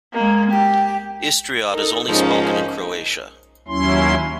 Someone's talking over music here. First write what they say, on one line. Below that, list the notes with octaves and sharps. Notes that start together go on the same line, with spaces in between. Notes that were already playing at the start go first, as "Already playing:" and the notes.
Istriot is only spoken in Croatia.
G#3 A#3
G4
D#4 A4 A#4
G#2 F3 A#3 C#4 D#4
D#2 F#3 C#4 E4 C6